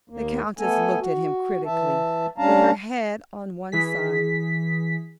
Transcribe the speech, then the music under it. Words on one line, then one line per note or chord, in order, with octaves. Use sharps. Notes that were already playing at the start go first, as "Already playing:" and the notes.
The Countess looked at him critically with her head on one side.
D#2 A#3
A3 B3 A4 G#5
F#4
E3 E5 A5
G3 C#4 D4 F5 A5 A#5
E3 G#4 B6